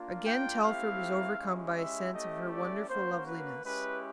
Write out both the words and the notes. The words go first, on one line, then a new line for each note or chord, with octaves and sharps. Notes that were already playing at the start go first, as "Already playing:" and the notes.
Again Telford was overcome by a sense of her wonderful loveliness.
Already playing: A#3 D4 F4
G5
A3 C4 E4 G4 F5
G#3 C#4 E4 G4
E5
A3 C#4 E4 G4 D#5
D5
A#3 C#4 F#4 C5
B4
G#3 C#4 E4 G4 B4